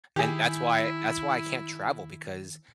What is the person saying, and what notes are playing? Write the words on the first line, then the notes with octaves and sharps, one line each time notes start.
And that's why that's why I can't travel because
D#3 E4 G4 G#4